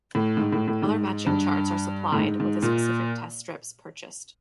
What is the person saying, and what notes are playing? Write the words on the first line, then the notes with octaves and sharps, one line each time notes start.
Colour matching charts are supplied with the specific test strips purchased.
A2
G#2
A2
A2
G#2
G2
A2
G#2
G#2
A#2